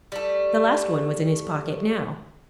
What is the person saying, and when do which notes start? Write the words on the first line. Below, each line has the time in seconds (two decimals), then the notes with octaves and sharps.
The last one was in his pocket now.
0.12 G3 A3